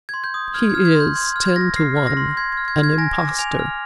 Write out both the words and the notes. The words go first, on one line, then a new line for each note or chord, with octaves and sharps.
He is, ten to one, an impostor.
C6 G#6
G6
D#6
F6 G#6
G#6
F6
G#6
C6
G6
C6 G#6
F6
G#6
F6 A#6
G#6
F6 C7
F6
A#6
C6
C6 G#6
F6 G#6
G#6
F6
G#6
G#5 A#6
D6 A#6
G#5 F7
F6